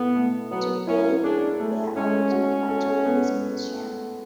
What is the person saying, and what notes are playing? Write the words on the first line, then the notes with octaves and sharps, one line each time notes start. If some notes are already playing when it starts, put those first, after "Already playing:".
Today, their original factory is a museum.
Already playing: B2 B3 E4 A4
A3
F#3 B3
C#4 E4
D4 G#4
A3
G#3 C#4
F#4
A4
B3